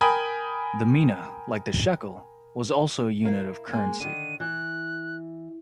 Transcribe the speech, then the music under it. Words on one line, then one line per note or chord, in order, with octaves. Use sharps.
The mina, like the shekel, was also a unit of currency.
A#4 G5 G#5 B5 D#6
E4 A#4 F5
G#3 A#3 G#5
D3 D#3 D#7
E3 F#6